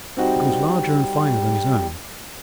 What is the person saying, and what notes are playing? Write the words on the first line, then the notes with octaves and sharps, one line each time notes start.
It was larger and finer than his own.
G3 C4 D#4 F#4